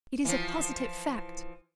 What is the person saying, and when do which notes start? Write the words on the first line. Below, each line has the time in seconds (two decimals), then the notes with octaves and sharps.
It is a positive fact!
0.25 E3 F3